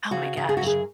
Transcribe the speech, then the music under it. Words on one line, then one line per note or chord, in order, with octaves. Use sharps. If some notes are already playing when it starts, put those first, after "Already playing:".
Oh my gosh.
C#3 F#4
C#3
G#4
F#4
F#2
G#4